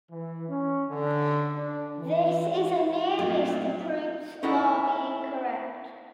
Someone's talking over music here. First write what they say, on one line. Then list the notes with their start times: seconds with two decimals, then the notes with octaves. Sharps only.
This is a near miss to Prout's law being correct.
0.10 E3
0.49 C#4
0.89 D3
1.56 D4
1.99 E3
2.46 G#3
3.19 A#2 F#3 A3 C4 D#4 F4 F#4 D#5
4.43 C#4 D#4 E4 A4 F#5